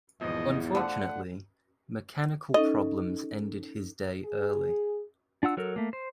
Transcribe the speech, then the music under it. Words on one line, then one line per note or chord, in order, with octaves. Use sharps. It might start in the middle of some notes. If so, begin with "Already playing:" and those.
Unfortunately, mechanical problems ended his day early.
G#1 E2 B2 F3 D#5
D3 F3 A3 F#5
C#4 D#4 A4 D#5
G#4
D4 F4 F#5 E6
F#3 A4 A#4
A3 A#3
C5